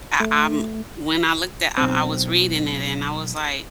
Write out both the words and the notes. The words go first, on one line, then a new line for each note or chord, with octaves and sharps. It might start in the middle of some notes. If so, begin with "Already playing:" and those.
I, um when I looked at I I was reading it and I was like,
A3
B1 C4